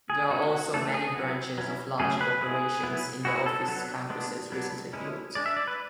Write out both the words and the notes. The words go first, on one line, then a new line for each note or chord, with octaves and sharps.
There are also many branches of large corporations in the office campuses recently built.
G#4
G#3 C#4 E4 F#4
C#3 E3 A3 D4 A4
G#4
F#3 B3 E4 F#4
F#3 C#4 E4
C#3 F#3 A3 C#4 G#4
B4
G#3 B3 E4 G#4
F#3 B3 E4
G#3 B3 E4 F#4
A4
F#3 B3 D4
G#3 B3 D4
F#3 B3 D4
D3 G#3 C#4 E4
G#3 D4 D5
E5
D5
B4